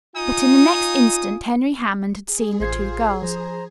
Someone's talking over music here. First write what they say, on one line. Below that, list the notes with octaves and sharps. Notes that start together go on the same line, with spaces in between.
But in the next instant Henry Hammond had seen the two girls.
D#4 F4 G#5 D#6
G#4
A1 F4 C5 G#6 C7
F3 C5 A#5